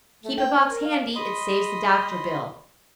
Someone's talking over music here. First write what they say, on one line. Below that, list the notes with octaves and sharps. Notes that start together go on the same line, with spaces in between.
Keep a box handy, it saves the doctor bill.
A3
G5
C5
A#4
F5
D#5 B5 C6 D#6